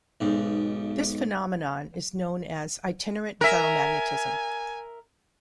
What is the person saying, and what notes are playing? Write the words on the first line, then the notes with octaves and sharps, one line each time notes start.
This phenomenon is known as "itinerant ferromagnetism".
B1 G#2
A#4 E5 G#5